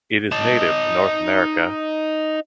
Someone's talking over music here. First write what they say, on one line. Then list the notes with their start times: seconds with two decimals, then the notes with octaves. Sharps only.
It is native to North America.
0.32 D#4 A5